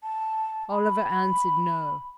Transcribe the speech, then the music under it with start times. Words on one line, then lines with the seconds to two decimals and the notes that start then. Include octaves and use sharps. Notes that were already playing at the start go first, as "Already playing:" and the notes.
Oliver answered no.
0.03 A5
0.71 B5